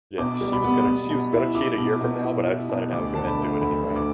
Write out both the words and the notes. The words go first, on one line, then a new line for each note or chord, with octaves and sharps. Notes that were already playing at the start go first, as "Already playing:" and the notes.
Yeah, "She was gonna she was gonna cheat a year from now, but I decided I would go ahead and do it anyway.
B2 D6
G3
B5
B3
B3
B2
E4
E4 D6
B2
B2
E4
E4
B2
D2 D6
D3 A5
B5
A3
D2 B5
D2
D6